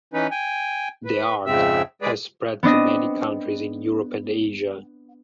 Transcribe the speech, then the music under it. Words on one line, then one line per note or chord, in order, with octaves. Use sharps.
The art has spread to many countries in Europe and Asia.
E3 C#4 D#4 B4
G5 G#5
B4
F2 G#2 C#3 C4 E5 E6
G#3 G#4 B4 D5
B3 C4 D4 D#5